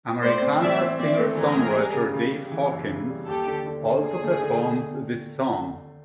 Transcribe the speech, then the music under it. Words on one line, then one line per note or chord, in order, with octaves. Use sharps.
Americana Singer Songwriter Dave Hawkins also performs this song.
A2 C5 D5
C4
E3 D5 E5
C4
C4 D5 E5
A3
E3 G#4 A#4
A2
G3
C#3
C#3
C#3
E3
F#2
C#3
G3
D#2 G4 A4
D3
D3
D3
D3 G#4
A3
D3